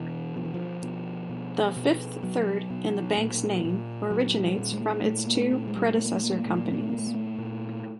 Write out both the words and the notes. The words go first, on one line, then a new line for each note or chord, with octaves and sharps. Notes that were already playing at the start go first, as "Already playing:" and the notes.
The "Fifth Third" in the bank's name originates from its two predecessor companies.
Already playing: B2 E3
B2 F3
E3
F3
B2
B2
B2
B2 F#3
B2
A#2
A#2
A#2 F#3
G3
A#2
G#3
A3
G#3
A#2 A3
A#3
A3
A#2
G#3
G3
G#3
A#2 A3
A#3
A3
A#3
A3
A#3
A#2 A3
A#3
A3
A#3
A3
A#2 A#3
A3
A#3
A3
A#2